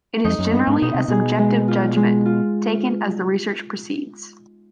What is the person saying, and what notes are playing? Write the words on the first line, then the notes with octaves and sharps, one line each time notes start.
It is generally a subjective judgment, taken as the research proceeds.
F2 D#4
F#2
G2 B3
G#2
B2 D#4
C3
B2 G#4
G#3
F4
G#3
F4